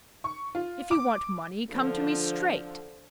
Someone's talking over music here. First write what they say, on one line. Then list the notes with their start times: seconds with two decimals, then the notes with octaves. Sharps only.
If you want money come to me straight.
0.24 C#6
0.55 F4
0.91 D6
1.72 D3 F3